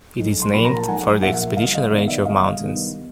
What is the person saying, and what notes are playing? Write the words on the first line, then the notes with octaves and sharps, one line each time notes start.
It is named for the Expedition Range of mountains.
B1
C6
A#2 F3 A#3 B5
A#5
A5
B1 F#5 G#5
A#2 F3 A#3 E5 F#5
G1 D#5 F5
D#5 F5
G2 D#3 G3 B3 D5 E5
D5 E5
G1 D#5 F5
G2 D#3 G3 B3